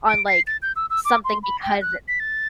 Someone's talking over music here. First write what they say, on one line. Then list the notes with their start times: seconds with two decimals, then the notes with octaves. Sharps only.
on, like, something because it's
0.09 D7
0.28 C7
0.47 A6
0.62 G6
0.76 E6
0.90 E6
1.05 D6
1.25 C6
1.43 B5
1.63 G5
1.82 F#6
2.08 B6
2.20 A6